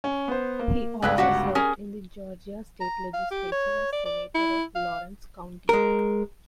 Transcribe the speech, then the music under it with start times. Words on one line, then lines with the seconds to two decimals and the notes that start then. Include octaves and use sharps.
He also served in the Georgia state legislature as Senator of Laurens County.
0.04 C#4
0.28 B3 C5
0.59 A#3
1.02 G1 C#2 D3 G#4 B4 F#6
1.18 F#4 G4 F#5
1.55 C#4 G#4 A#4
2.81 A#5
3.13 F5
3.31 G4
3.52 C#5
3.93 D5
4.05 D5
4.35 E4
4.75 F5
5.69 G#3 A#4